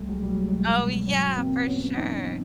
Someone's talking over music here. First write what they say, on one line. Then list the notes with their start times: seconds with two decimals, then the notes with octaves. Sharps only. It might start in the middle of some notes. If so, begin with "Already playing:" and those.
Oh, yeah, for sure.
Already playing: C2 G3 A3
0.08 F#3 G#3
0.19 B2 G3
0.28 F#3 G#3
0.48 C2 F#3 G#3
0.68 G3
0.78 B2
0.88 F#3
1.07 G2 F#3
1.37 E3 A#3 C4
1.66 G2 B3 C#4
1.97 E3 C#4 D#4